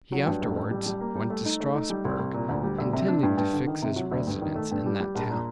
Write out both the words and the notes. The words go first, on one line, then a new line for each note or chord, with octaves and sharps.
He afterwards went to Strasbourg, intending to fix his residence in that town.
F#3
G2
A1
A1
G3
G3
A#3
G3
A3
D#4
A3
D#4
G3
C2
C2
A#2
D2
G3
D2
C3
D4
G2
G2
D3
D#3
C3
F#3
D2
G2
D#3
A3
G2
G3
G3
A#1
A#2